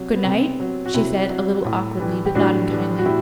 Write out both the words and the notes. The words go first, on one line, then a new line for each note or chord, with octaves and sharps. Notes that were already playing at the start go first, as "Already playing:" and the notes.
"Good night," she said, a little awkwardly, but not unkindly.
Already playing: C3 F#3
B3
C3 C4
F#3
F#4
C3 C4 E4
F#3
A2
E3 G3
G4
A2 D4 F#4
E3 G3
F#4
A2 E4 G4